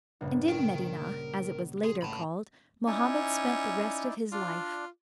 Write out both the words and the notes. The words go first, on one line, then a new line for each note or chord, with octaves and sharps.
And in Medinah, as it was later called, Mohammed spent the rest of his life.
A#1 G2 C#3
A#4 G5
G#4 C6
A1 A5 B5
C#4 D#4 E4 D5
D4 F4 D5